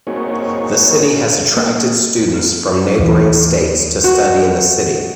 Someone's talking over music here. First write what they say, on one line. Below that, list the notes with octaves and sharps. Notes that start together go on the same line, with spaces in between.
The city has attracted students from neighbouring states to study in the city.
A#3 C4 D#4 F#4 G#4 C#5
A#3
D#2 E3
F#4